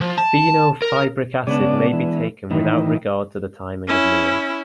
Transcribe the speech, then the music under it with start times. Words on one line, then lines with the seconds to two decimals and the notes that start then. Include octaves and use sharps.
Fenofibric acid may be taken without regard to the timing of meals.
0.01 F3
0.18 A5
0.82 A#4
1.47 C#3 G#3 B3 D4 D5
1.93 E3
2.51 A2 D#3 E3 D#4
3.88 C#4 E4